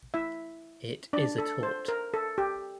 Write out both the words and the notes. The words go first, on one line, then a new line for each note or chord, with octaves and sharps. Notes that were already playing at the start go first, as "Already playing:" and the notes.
It is a tort.
E4 E5
D4 D5
A4
C5
A#4
A4
G4